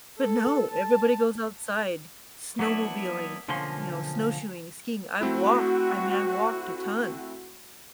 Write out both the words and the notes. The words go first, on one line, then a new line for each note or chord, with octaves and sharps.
But no, everybody goes outside, snowmobiling, you know, snowshoeing, skiing. I walk I mean, I walked a ton.
A4
A5
F#3 A#3 B3 D4 E4
B1 D3 F3 A#3 C#4 C6
A3 C4 E4 F#4